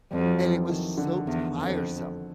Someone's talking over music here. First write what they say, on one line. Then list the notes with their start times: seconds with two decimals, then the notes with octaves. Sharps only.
And it was so tiresome,
0.11 F2 G3
0.18 F#3
0.26 F3
0.32 F#3
0.40 E3
0.70 D#3
0.97 D3
1.27 E2
1.56 F2